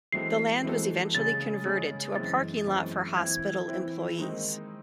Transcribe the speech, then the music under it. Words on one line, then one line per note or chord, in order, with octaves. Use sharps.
The land was eventually converted to a parking lot for hospital employees.
E3 G#3 C4 F#4 A4 C7
E3 G#3 C4 F#4 A4
C#3 G#3 C#4 G#4 A6
C#3 G#3 C#4 G#4
F#2 E3 G#3 C4 A6
F#2 E3 G#3 C4
E3 C4 E4 G#6
E3 C4 E4
D#3 G#3 C4 D#4